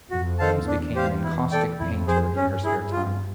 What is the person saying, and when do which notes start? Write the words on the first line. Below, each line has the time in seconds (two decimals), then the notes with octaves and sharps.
Holmes became an encaustic painter in her spare time.
0.11 F2 F#4
0.39 A4 C5 F5 A5
0.67 E2 D4
0.96 G4 C5 F5
1.23 E4
1.51 A4 D5 G5
1.79 F2 E4
2.08 G#4 C5
2.36 G2 C#4
2.64 E4 G#4
2.92 F4